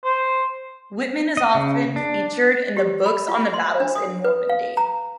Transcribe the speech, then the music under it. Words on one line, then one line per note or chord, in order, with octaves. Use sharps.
Wittmann is often featured in the books on the battles in Normandy.
C5
D#5
C#3
D4
G4
B5
F4
C6
D4
D#6
B4
F5
A#5